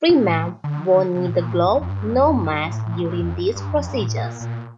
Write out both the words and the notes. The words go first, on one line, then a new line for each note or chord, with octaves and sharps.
Freeman wore neither glove nor mask during these procedures.
C3
A#2
A2
D3
D#3
D3
C3
A2
A#2
A2
F2
F2
G2
F2
G2
G2
A2
A2
A2
F2
G2
G2
F2
G2
A#2
A2
A#2
A#2